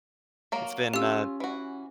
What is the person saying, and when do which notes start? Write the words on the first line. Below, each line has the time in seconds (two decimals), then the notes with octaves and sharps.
It's been, uh
0.52 F#3 A#3 A#4
0.93 C#4 F4 G4 E6
1.40 E3 F#4